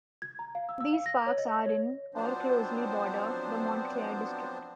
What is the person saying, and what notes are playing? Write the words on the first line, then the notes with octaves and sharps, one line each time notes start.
These parks are in or closely border the Montclair district.
G#6
A#5
F5
E6
E6
F5
A#6
C#5
D#5
C#5
F3 F#3 B3 C4 D4 C5